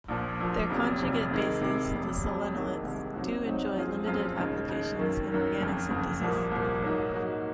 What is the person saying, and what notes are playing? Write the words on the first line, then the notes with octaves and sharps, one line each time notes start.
Their conjugate bases, the selenolates, do enjoy limited applications in organic synthesis.
A#1 A#2 F3
A#1 A#2 F3
F1 F2 C3 F#3
F1 F2 C3 F#3
C3 D#3 G#3
C3 D#3 G#3
F1 F2 C3 F#3
F1 F2 C3 F#3
C2 C3 D#3 G#3
C2 C3 D#3 G#3
C3 F#3 C4 D#4 F#4
C3 F#3 C4 D#4 F#4
F#2 F3 C4 F4 G#4
F#2 F3 C4 F4 G#4
D#2 C#3 G#3
D#2 C#3 G#3
F#2 D#3 A#3
F#2 D#3 A#3
F#1 F2 C#3
F#1 F2 C#3
C2 A#2 F3 A#3
C2 A#2 F3 A#3
G#2 F#3 A#3 D#4 F#4
G#2 F#3 A#3 D#4 F#4